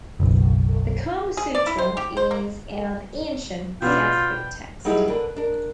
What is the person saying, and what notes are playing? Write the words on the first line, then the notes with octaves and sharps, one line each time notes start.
The "Kama Sutra" is an ancient Sanskrit text.
F#1 B1
G#4
D5
E4
C5
G4
C5
A#3
B2 D4 F4 G5
F#3 G3 B3 D#4 E4 G#4
D3 D4 A#4 B4
D4 A#4